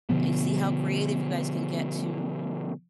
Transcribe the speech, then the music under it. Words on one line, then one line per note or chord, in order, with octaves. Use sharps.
and see how creative you guys can get to,
B2 D3 F3 B3